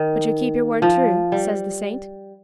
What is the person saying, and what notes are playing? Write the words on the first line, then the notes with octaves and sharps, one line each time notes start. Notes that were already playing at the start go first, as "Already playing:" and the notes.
"But you'll keep your word true," says the saint.
Already playing: D#3
F3
G3